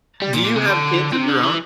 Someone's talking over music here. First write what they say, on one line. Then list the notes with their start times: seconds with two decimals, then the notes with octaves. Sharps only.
Do you have kids of your own?
0.22 G3
0.33 A#2
0.45 A#2
0.56 C3
0.67 D3
1.13 C3
1.28 D3
1.43 E3